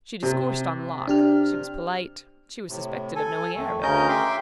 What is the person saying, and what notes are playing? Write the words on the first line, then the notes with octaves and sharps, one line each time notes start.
She discoursed on Locke; she was polite; she was suspected of knowing Arabic.
C3
D4 G4 F6
A2 C3
A4 G#5
F2 D#3 A3
D2 C#3 C#4 A#4 D#5 G6
E5 G5 C6 D6